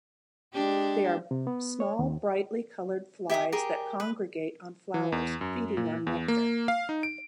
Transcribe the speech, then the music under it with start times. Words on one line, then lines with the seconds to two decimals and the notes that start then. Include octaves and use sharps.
They are small, brightly coloured flies that congregate on flowers, feeding on nectar.
0.53 G#3 D4 G4
1.31 C3
1.47 B3
1.80 C#5
1.99 D#2
3.30 G4 E5 G#5 D#6
3.52 G4 G#4 A#4
4.00 B4
4.94 E3
5.12 E2
5.41 F#2
5.77 A#2
6.07 E2
6.28 A#3
6.68 F5
6.89 D#4
7.03 D7